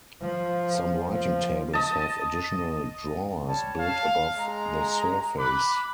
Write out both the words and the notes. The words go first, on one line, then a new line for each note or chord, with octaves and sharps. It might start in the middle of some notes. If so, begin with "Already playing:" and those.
Some writing tables have additional drawers built above the surface.
F3
F3
D#5 A5
G3 C#5 A5
F5
G#3 A#5
B5 D6 F#6